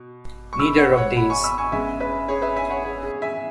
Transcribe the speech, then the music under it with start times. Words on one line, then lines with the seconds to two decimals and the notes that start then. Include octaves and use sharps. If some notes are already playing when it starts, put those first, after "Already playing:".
Neither of these.
Already playing: B2
0.53 C#6
0.59 B5 E6
0.78 C#5 F#5
0.97 C#5 F#5
1.16 F#5 B5
1.30 G#5 C#6
1.44 B5 E6
1.58 G#5 C#6
1.72 C#3 G#3 B3 E5 G#5
2.00 B4 E5
2.28 G#4 C#5
2.42 B4 E5
2.56 E5 G#5
2.70 C#5 F#5
2.84 G#4
3.03 G#4
3.22 E5 G#5